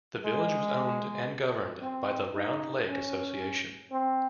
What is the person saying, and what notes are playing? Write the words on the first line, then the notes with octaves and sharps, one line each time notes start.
The village was owned and governed by the "Round Lake Association".
G#3
C4
D#4
C#4
C4